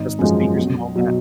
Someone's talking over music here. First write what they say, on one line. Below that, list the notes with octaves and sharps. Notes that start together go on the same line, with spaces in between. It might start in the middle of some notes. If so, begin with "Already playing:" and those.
just the speakers and all that.
Already playing: G#1 D#4
F#2 F3 G#3
B1
B2 F#3